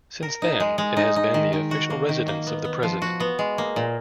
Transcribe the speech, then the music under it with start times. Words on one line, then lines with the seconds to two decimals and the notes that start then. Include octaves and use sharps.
Since then, it has been the official residence of the President.
0.23 A#4
0.42 D#4
0.60 G#3
0.78 G#3
0.97 D#4
1.16 D#4
1.34 D#3
1.53 D#3
1.71 F#4
1.90 A#3
2.09 D#3
2.28 A#3
2.47 B3
2.65 B3
2.83 F3
3.02 F#4
3.20 B3
3.39 G#3
3.58 A#3
3.76 A#2